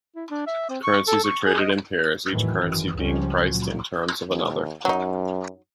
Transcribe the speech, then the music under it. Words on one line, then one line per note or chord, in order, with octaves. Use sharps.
Currencies are traded in pairs, each currency being priced in terms of another.
E4
D4
E5
C4
C#6
A4
C#6
G#4
D#5
E2 A2 D#3 E3 F#3
G#1 F#2 D#3 E3
C#2 C#3 F3 G3 C#4
A#2 F#3
D#2
F#2 F#3 D#4